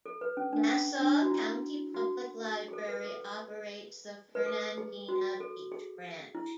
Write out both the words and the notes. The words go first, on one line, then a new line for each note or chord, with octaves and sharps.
Nassau County Public Library operates the Fernandina Beach Branch.
A4
B4
C#4
D4
C#4
D4
F#4
E4
F#4
G#4
A4
B4
A4
B4
A4
G#4
F#4
A4
G#4
E4